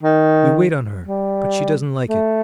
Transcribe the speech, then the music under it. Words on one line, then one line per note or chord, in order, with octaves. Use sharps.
We wait on her, but she doesn't like it.
D#3
G3
A3